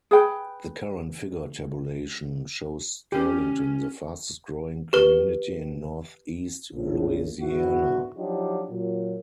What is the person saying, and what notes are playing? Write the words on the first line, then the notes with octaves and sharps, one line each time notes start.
The current figure tabulation shows Sterlington the fastest-growing community in Northeast Louisiana.
G#4 B4 G5
C#4 G4
G4 B4
A#1 A2 C#3
G#2 D3 B3 E4 F#4
F3 F#3 D4 D#4 F4 G4
A#2 F#3